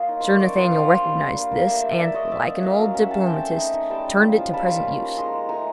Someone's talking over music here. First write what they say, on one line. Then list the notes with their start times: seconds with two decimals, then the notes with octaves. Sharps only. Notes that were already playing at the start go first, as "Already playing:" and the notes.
Sir Nathaniel recognised this, and, like an old diplomatist, turned it to present use.
Already playing: A#3 F4 C#5 D#5
0.08 D#4
0.21 D#4 C5
0.30 C#5
0.40 C#4 C5 D5
0.56 F3
0.72 F3 C5 D5
0.88 D4
1.03 G3
1.20 D4
1.36 A#3
1.52 A#3
1.67 A3 D5 E5
1.83 A3
1.99 D4 D5 E5
2.15 D4 C#5 D#5
2.31 A#3 D5 E5
2.47 C#4
2.63 F#3 D#5 F5
2.79 F#3
2.94 C#4 E5 F#5
3.10 C#4 G5 A5
3.26 C4 G5 A5
3.43 A3
3.58 D#4
3.74 D#4
3.90 G3 G5 A5
4.06 C#4
4.22 F3
4.38 F3
4.53 G3 A5 B5
4.70 A#3
4.86 C#4
5.02 F3
5.17 G#3 A#5 C6
5.33 G#3
5.49 A3 G#5 A#5